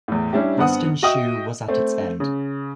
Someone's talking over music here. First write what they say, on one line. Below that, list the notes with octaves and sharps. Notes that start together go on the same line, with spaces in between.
Western Shu was at its end.
E2 A2
G3 C#4 D4 E4 G4
G2 B3 C4 F#5 D#6
F#4 D#5 E5 G5 D#6
A3 C4 C5
C#3